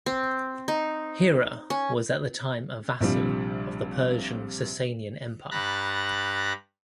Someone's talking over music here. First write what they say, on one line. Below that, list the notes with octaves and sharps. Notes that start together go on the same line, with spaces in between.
Hira was as the time a vassal of the Persian Sasanian Empire.
C4
D#4
C#4
A#1 C3 F3 G3 D4
G2 A#5 B5 F#6 A6